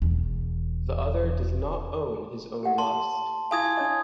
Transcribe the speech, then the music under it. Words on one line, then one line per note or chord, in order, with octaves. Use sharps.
The other does not own his own lust.
E1 E2
G4 F#5
A5 C6
E4 G#4 F5 G#5 D#6 G#6
D4 C#5 D#5